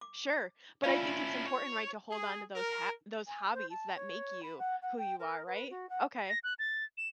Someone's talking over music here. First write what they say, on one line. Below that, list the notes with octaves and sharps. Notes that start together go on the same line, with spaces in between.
Sure, but I think it's important, right, to hold on to those ha those hobbies that make you who you are, right? Okay.
D6
C#4 E4 F4 D5 F5
C#5
G#4
A#4
G#5
C5
A5
C#5
B5
F#5
F#5
G5
A#4
B4
F#4
F#5
A#6
F#6
A6
E7